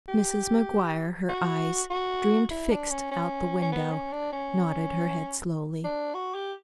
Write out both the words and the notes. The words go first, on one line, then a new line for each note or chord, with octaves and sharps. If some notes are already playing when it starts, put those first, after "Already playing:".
Mrs. McGuire, her eyes dreamily fixed out the window, nodded her head slowly.
G4
F#4
F#4
E4
D4
C#4
C#4
C#4
B3
C#4
D4
C#4
D4
F#4
G4